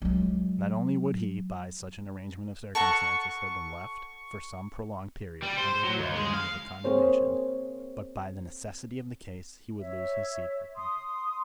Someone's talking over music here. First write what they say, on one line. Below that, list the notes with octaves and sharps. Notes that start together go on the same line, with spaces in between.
Not only would he, by such an arrangement of circumstances, have been left for some prolonged period under the agony of a condemnation, but, by the necessity of the case, he would lose his seat for Tankerville.
F#3 G#3
A4 F#5 A#5 C#6
G3
C5
F#3
D#2
G#3
F5
A#3 C4 G#4 C5 C#5
C#5 E5
C6 D#6